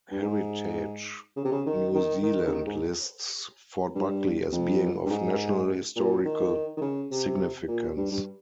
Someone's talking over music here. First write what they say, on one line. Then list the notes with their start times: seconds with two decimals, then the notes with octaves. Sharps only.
Heritage New Zealand lists Fort Buckley as being of national historical significance.
0.11 G2
0.22 G#2
1.36 C#3
1.44 C3
1.51 C#3
1.66 D#3
1.94 D#3
2.22 D#3
2.47 C#3
2.51 D#3
2.66 G#2
3.95 G2
4.52 F2
5.05 G2
5.10 G#2
5.96 A#2
6.24 D#3
6.77 D#3
6.81 C#3
7.11 C3
7.68 A#2
7.97 G2
8.11 G2